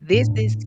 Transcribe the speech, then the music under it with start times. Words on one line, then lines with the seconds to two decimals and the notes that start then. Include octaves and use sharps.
This is"
0.13 A2 D4
0.35 A2